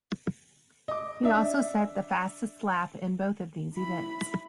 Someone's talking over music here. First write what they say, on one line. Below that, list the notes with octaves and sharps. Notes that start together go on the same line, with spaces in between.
He also set the fastest lap in both of these events.
D#5 D6
D4 E5
E4 B5